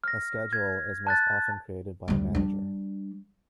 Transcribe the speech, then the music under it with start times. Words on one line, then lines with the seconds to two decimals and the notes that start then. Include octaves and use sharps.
A schedule is most often created by a manager.
0.04 F6 A#6
0.53 G#6
1.07 A5 F#6 A6
2.08 D2 G3
2.35 G3 D4